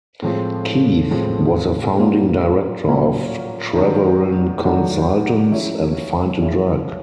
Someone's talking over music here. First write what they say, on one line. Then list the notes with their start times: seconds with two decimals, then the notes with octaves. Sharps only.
Keith was a founding Director of Treweren Consultants and Find-a-Drug.
0.22 A2 F3 G#3 C4
1.11 A2 F3 G#3 C4
1.99 A#2 F#3 A#3 C#4 F4
2.87 A#2 F#3 A#3 C#4 F4
3.75 D#3 F#3 A3 D4 F#4
4.64 D#3 F#3 A3 D4 F#4
5.52 F3 G#3 C#4 E4
6.40 F3 G#3 C#4 E4